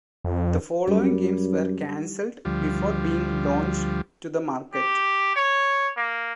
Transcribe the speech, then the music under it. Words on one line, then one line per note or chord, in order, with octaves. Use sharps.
The following games were cancelled before being launched to the market.
F2
F#2 G3
D2 F3 G3
G4
C#5
A#3